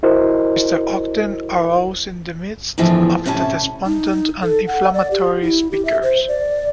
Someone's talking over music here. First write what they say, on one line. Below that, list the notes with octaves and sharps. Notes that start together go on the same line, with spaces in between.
Mr. Ogden arose in the midst of the despondent and inflammatory speakers.
E4 F#4 A#4 C5 D#5
E2 A2 D3 E3 F3
A2 C3 C#4 E4 A5
D#4
A4
F#5
D5
G4
E4
G4
E5
C5
D5